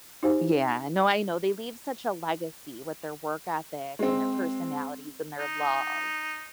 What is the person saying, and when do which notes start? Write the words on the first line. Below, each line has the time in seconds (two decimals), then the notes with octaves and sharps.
Yeah, no, I know, they leave such a legacy with their work ethic and their personalities and their love.
0.23 D#4 F#4 G4 C5 F5 G#5
3.99 G#3 C4
5.39 D#4